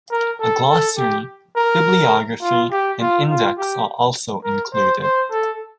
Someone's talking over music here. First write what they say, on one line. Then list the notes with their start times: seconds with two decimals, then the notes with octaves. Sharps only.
A glossary, bibliography, and index are also included.
0.11 A#4
0.41 A4
0.69 A4
0.98 G4
1.56 A#4
2.42 F4
2.72 G4
3.00 F4
3.29 F4
3.58 G4
4.45 A#4
4.73 C5
5.02 C5
5.31 A4